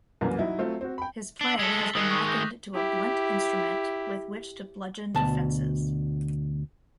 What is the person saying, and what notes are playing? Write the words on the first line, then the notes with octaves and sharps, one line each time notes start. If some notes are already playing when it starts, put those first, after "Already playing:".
His play has been likened to "a blunt instrument with which to bludgeon defences".
C2 F#2 E3 A#3
F#3 D#4 E4
F#3 A3 C4 F4
C4 F#4
G5 B5
D4 E6 C7 F#7
G#3 A4 B6 G7
A6 F#7
D#3 G#3 D#6 F#6
C#6 G7
D6 G6 A#6
E4 G4
D2 B2 A5